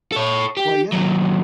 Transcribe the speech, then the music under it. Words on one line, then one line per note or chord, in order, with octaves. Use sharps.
Well, yeah.
A4 C#5
G4
D#2 F#3